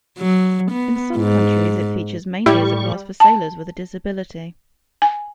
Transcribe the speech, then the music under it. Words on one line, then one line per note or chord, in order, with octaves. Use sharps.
In some countries it features mainly as a class for sailors with a disability.
F#3
B3
G#2
A2 G3 E4 C#6
A5
G#5